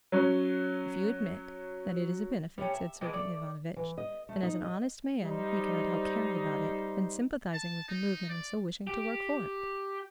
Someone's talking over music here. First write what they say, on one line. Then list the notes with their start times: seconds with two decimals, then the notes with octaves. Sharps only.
"If you admit that it is a benefit," said Sergey Ivanovitch, "then, as an honest man, you cannot help caring about it and sympathizing with the movement, and so wishing to work for it."
0.12 F#3 C#4
2.58 G3 A3 C#4
2.74 E5
3.01 E3 F3 G#3 C4
3.13 A3 D5
3.76 E3
3.98 D#5
4.29 A3
4.43 D#4
4.64 D#5
5.23 G3 D#4 C5
7.54 A5
7.89 D#4
8.30 D5
8.87 G4